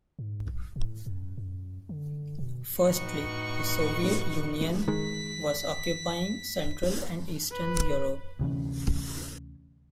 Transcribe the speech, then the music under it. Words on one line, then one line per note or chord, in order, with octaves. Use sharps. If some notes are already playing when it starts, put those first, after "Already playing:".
Firstly, the Soviet Union was occupying Central and Eastern Europe.
G#2
A#1
A2
F#2
F#2
D3
B2
A2 D#4 F#4 B4 C#6
D#3 G#3 B6
B4
D2 C3 E3 C#4